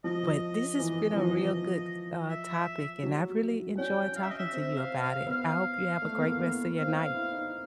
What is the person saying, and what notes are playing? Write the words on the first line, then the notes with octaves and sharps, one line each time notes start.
But this has been a real good, uh, topic, and I've really enjoyed talking to you about it. I hope you have a great rest of your night.
F3 D#5
E3
E3
F3
E5
F#3
C#4 G5
F5
E5
D#5
E5
C4 E5
F5
F5
B3 F5
A3
B3
A#3
B3
C4 F5
E4
D#4